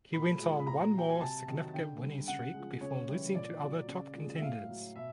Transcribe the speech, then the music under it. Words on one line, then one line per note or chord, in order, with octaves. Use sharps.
He went on one more significant winning streak before losing to other top contenders.
A#2 B5
F3 G#3
B5
A#2 A#5
F#3 G5
G#5
C3 A5
D#3 F#3
D3 G5
G3
C#3 F#5
F3 G#3
C#3 C#5
E3 G3
A#2 D5
F#3
C#3
F3 G#3
E5
A2 F5
F#3
B2 E5